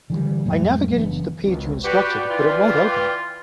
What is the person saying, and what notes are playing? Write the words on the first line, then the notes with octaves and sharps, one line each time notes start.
I navigated to the page you instructed, but it won't open.
D3 E3 G3
F2 A2 F#3 G#3
F#1 E3 B3 D4
G#1 C#2
F#4 G4 B4 D5 G5
E3 F4